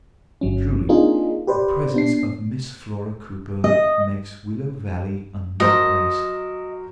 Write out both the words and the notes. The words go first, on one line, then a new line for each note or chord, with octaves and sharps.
Truly, the presence of Miss Flora Cooper makes Willow Valley a new place.
G1 F#3 C#4
A#3 C4 D4 D#4 F4 G#4
G4 B4 C5 D5
B3 D4 C7
D#5
F#3 A#4 C5 D#5